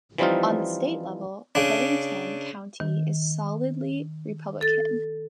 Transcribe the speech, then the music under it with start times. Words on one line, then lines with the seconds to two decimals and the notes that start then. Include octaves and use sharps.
On the state level, Covington County is solidly Republican.
0.18 E3 F3 G3 C4 D#4 F4
1.55 C#3 D4
2.80 D#3
4.61 A4 A6